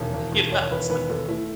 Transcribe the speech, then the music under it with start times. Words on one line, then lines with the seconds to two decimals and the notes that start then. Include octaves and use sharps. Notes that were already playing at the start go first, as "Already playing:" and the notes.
you know, it's like
Already playing: E1 D#2 C#5
0.14 E1
0.32 D#2
0.52 D#2 C#5
0.70 E1 B4
0.90 D#2 B4
1.10 D#2 A4
1.28 A3 E4